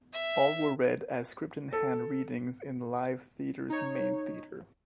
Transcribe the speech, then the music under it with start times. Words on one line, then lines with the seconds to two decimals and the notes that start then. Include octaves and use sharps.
All were read as script-in-hand readings in Live Theatre's main theatre.
0.13 E5
1.73 A4
3.70 D#4 C#5